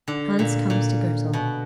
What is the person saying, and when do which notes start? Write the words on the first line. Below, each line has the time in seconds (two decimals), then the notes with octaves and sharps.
Hans comes to Grettel.
0.08 D3
0.39 A#2
0.70 A#2
1.33 B2